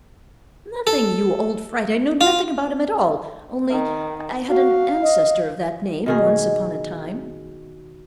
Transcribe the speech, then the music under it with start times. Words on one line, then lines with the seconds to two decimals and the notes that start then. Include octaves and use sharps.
"Nothing, you old fright!--I know nothing about him at all; only I had an ancestor of that name, once upon a time."
0.87 A4
2.21 F4
3.70 D#3
4.49 F#4 F5
5.02 D#5
6.06 B2 D#3 G#4